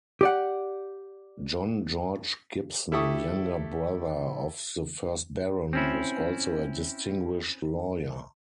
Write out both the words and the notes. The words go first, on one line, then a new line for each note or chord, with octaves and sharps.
John George Gibson, younger brother of the first Baron, was also a distinguished lawyer.
G4 D5 F#5
E4 G4 A4 C#6 D#6
C4 C#4 E4